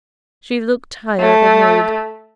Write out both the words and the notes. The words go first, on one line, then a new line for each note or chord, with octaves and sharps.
She looked tired and old.
A3